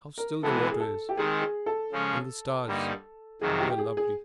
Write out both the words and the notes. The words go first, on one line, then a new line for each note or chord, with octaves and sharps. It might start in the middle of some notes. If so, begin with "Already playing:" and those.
"How still the water is; and the stars, they are lovely!"
A#4
C3 E3 G#3 B3 A4
G#4
A4
G4
D#3 G#3 C4 D#4 G#4
G#4
A4
C#3 F3 G#3 C#4
G2 D3 G3 A#3 D#4
F2 C3 D#3 F#3 G#4
G4
G4
G#4
G#4